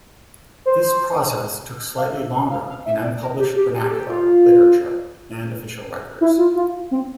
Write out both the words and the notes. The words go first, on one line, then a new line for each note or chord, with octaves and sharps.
This process took slightly longer in unpublished vernacular literature and official records.
C5
F5
E5
F5
F5
E5
D5
A#4
G4
G4
G4
A4
G4
F4
E4
F4
F4
C4